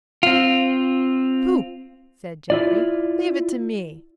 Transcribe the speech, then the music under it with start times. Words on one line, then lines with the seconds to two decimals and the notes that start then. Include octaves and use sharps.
"Pooh!" said Geoffrey, "leave it to me."
0.23 C4 F4
2.50 E4 F4 D5